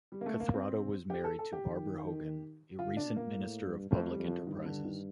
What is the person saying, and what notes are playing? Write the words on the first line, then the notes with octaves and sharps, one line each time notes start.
Kathrada was married to Barbara Hogan, a recent Minister of Public Enterprises.
G3
A#3
A3
A#3
C4
G4
A4
A4
G4
D#3
D3 F4
D4
A#2
A#3
A2
G2
F2 A3
G3
F2
F3
G2 D#3
D3
D#3